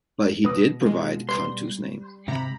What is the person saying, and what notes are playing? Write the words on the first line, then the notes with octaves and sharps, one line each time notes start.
But he did provide Cantu's name.
B2 B4 D#6
G#3 F4
G3 B4 C6
G#2 C3 A#5 B5